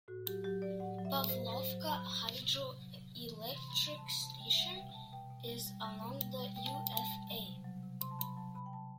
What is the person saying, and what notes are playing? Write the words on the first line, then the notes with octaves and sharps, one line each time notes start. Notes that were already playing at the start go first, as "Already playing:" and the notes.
Pavlovka Hydroelectric Station is along the Ufa.
A2 F#4
F#3 G4
F#3 G4
F#3 D5
A2 F#5
F#3
E5
A2
C5
A2
F#3 C5
F#3
F#3 B5
F#3
C3
C3
F#3
F#3
C3
E3
C3
C3 C6
G3 B5
G3 C6
A5
C3 B5
C3 A5
G3 G5
E5
G3 F#5
B2 G5
B2 A5
B2 G5
B2
G3
G3
G3
B2
G3
G3
B2 G5
A5
G3 G5
G3 A5
G3
F#3
C3
F#3
C3
C3 C6
A5
F#3 B5
F#3 A5
C3 B5
G5
F#3 A5